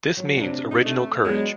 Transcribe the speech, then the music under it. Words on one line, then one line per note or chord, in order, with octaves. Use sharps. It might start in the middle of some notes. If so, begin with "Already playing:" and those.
This means original courage.
F#3
C3 D4
D#4
A3
F#3 G#3 B3 D4